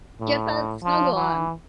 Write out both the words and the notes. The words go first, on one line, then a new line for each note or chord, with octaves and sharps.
get that snuggle on.
A2
F3
E3